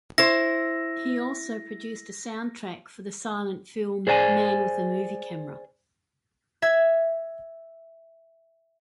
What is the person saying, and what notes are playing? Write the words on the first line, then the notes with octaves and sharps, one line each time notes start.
He also produced a soundtrack for the silent film "Man with a Movie Camera".
E4 C5 A#6
G#4 C5 D5 G5 G#5
E5 G#6